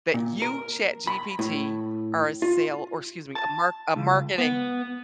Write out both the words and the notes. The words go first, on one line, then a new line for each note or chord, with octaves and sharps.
that 'you, ChatGPT, are a sale' or excuse me, 'a mark a marketing'"
A#2
A#4
B5
A2
F4
A5
C#2
B3